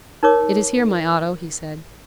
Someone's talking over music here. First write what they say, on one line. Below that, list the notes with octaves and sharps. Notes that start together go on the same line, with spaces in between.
"It is here, my Otto," he said.
D#4 A#4 C#5 D6